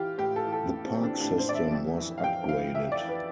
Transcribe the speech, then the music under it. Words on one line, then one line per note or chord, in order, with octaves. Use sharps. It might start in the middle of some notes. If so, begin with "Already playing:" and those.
The park system was upgraded.
Already playing: E3 F4 G4
A2 G4
A4
E3
A4
A2
C4
E3
D4
A2 D4
C5
E3 D5
E5
F2
E3
F5
F2 G5
E3 F5
F2 E5
D5
E3
B4